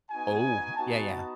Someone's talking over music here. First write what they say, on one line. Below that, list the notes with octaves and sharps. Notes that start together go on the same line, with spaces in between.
Oh, yeah, yeah.
B3 D#4 F#4 G#5
B3 D#4 F#4 A5